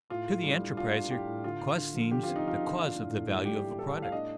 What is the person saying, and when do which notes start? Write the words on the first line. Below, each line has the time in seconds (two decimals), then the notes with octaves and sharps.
To the enterpriser, cost seems the cause of the value of a product.
0.10 A2 F4
0.27 A2
0.43 G3
0.61 D4
0.77 D4 F4
0.94 D4
1.11 A2 G4
1.27 A2
1.44 D3 F4
1.61 D3
1.78 D3
1.94 F3
2.11 D3 G4
2.23 C4 F4
2.36 D#4
2.45 F3 F4
2.61 D3
2.78 D4
2.95 A2
3.11 A2
3.29 G3
3.45 D4 G4
3.62 A2
3.79 A2 A4
3.96 A2
4.02 F5
4.12 D4 D#5